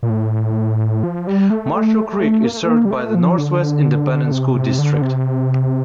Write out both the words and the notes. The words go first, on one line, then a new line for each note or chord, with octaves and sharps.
Marshall Creek is served by the Northwest Independent School District.
A#2
A2
F3
G3
A3
A#3
A3
A#3
G3
A3
F3
D3
C3
C3
D3
C3